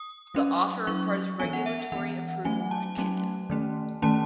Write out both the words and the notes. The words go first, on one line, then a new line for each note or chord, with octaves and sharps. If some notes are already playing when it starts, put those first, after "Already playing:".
The offer requires regulatory approval in Kenya.
Already playing: D#6
F#3 C#4
F#3 C#4 C#6
E3 B3 G#5
F#5
E5
F#5
E3 B3 F#5
F#3 A3 C#4 G#5
A5
F#3 A3 C#4
D#3 A3 C#4
D#3 A3 C#4 A5